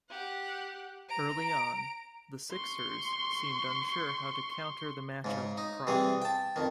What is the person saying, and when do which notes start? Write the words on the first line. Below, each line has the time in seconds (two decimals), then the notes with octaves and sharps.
Early on, the Sixers seemed unsure how to counter the matchup problem.
0.10 G4 F#5
1.09 A#5 D7
2.52 C6 C#6
5.24 G#2 C#3
5.57 D#4
5.87 C3 E3 G3 G#4
6.22 G5 A5
6.56 F2 D#3